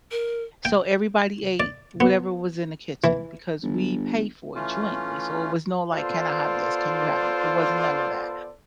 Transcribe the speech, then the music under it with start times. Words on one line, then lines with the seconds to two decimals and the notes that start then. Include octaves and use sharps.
So, everybody ate whatever was in the kitchen because we pay for it jointly, so it was no, like, "Can I have this? Can you have it?" It wasn't none of that.
0.11 A#4
0.65 G5
1.60 D5
2.00 B3
3.04 E3
3.62 G1
4.55 E3 A3 C#4 F4
5.93 B3 F4 A4 C5 D5